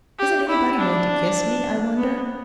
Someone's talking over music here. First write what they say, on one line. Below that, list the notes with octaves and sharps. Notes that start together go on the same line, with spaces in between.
"Isn't anybody going to kiss me, I wonder!"
G4
E4
D4
B3